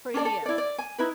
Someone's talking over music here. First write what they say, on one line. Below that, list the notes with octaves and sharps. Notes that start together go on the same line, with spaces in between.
For you.
C#4 D4 A4 D5
A4
E4 D5
D5
G#5
D#4 E4 B4